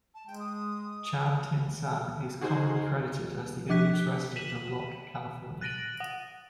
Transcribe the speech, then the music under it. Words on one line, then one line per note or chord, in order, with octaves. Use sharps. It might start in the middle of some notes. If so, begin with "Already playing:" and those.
Chan Tin-San is commonly credited as the earliest resident of Locke, California.
A5
G#3 G5
D#6
D#4 F#4 G#4 C5
F3 D6 F#6 B6
B6 D#7 E7 F#7
F#6 A6 A#6 D7 D#7 F#7
F#5